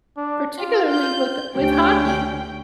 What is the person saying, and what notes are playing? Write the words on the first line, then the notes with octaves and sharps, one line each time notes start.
Particularly with with hockey.
D4
F4
G6
D2 C#4 D4 G4 G5